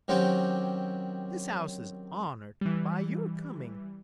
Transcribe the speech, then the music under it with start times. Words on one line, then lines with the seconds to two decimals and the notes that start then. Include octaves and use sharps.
"This house is honored by your coming."
0.08 D#3 F#3 C4 C#4 G4
2.61 E3 G3